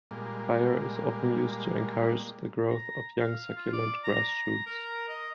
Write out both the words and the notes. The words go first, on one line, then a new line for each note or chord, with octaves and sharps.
Fire is often used to encourage the growth of young succulent grass shoots.
A#2 G3 G#3 A#3
A#5
F5
F4
D5
A#5
A#5
A#4
D#5